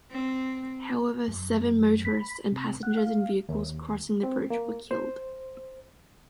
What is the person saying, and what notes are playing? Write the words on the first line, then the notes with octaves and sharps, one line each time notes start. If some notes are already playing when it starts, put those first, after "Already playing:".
However seven motorists and passengers in vehicles crossing the bridge were killed.
C4
F#2
B5
C3
F#5
F5
D#2
C4
A#3
C5